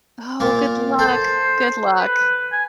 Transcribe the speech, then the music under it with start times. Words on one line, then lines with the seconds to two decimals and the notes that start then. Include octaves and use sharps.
Oh, good luck! Good luck.
0.40 A#2 A#3
0.99 A4 C5
1.99 B4
2.52 G#5